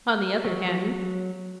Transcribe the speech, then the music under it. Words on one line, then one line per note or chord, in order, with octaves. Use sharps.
On the other hand.
F#3